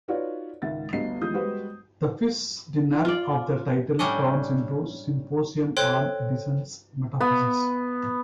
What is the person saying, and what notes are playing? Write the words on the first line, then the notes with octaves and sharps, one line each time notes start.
The fish dinner of the title turns into a symposium on Eddison's metaphysics.
D#4 F4 F#4 B4 C#5 D5
C#2 G#2 D#3 E5 F#5 A6
G1 D2 G2 D#5 C7
D2 E3 F3 G#3 D#6 G6
G3 G#3 F#4 B4 C5 F#5
F4 D5
A2 G3 C#4 D4 D#5
A4 C5 C#5 G5 C6 F#6
B3